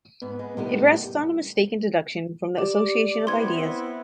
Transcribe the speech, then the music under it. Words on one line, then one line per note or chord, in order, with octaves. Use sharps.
It rests on a mistaken deduction from the association of ideas.
G#2 B3
G#3
A2 C3 D#3 G3 B3
G4 D5
B3 C4 E4 C6 G#6